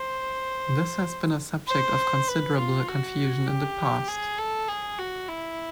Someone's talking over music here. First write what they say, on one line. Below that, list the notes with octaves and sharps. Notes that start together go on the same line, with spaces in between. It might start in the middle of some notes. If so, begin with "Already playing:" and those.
This has been a subject of considerable confusion in the past.
Already playing: C5
C5
B4
F4
F#4
G4
G#4
A4
G#4
F#4
E4